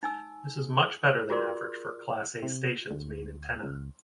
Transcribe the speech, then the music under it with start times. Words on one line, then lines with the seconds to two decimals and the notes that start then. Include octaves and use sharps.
This is much better than average for a Class A station's main antenna.
0.03 D#4 G#5 E6
1.30 F4 F#4 G#4 A#4 D5 C6
2.43 C3
2.91 D2
3.63 C#2